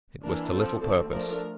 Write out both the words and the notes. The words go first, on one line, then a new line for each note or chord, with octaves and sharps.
It was to little purpose.
E3 A#3 D4 A#4
F3 C4 A4
D3 A3 C4 A4
F3 A3 D4 A#4